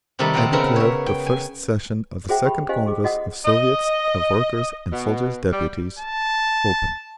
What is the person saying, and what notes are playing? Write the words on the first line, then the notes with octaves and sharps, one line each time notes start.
"I declare the first session of the Second Congress of Soviets of Workers' and Soldiers' Deputies open!"
C3 D#3 G3 A3 D#4 E4
A4 C5 D#5 F#5 G5 A#5
C#3 B3 C4 A#4
C#5 E5
G5
G#5
F#4 G#4 C5 E5 F#5 G5
G4 G5 B5
C#4 G4 C5 D#5 F5 G#5
G4 G#4 D6
F#4 D#5 F#5 D#6
D#5
B2
G3
A5